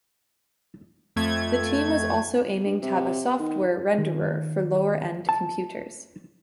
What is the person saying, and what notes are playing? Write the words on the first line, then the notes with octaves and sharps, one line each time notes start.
The team was also aiming to have a software renderer for lower-end computers.
F2 A3 G#6
G2
C3
D#3
D#3
A5